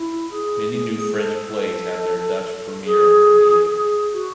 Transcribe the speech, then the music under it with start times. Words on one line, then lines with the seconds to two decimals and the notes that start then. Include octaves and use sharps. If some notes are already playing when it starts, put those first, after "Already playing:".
Many new French plays had their Dutch premiere in her theatre.
Already playing: E4
0.31 G#4
0.74 G#4
1.16 A4
2.85 G#4
3.71 G#4
4.13 F#4